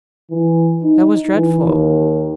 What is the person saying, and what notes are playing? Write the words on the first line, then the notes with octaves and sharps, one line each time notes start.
That was dreadful.
E3
D#4
E3
D#2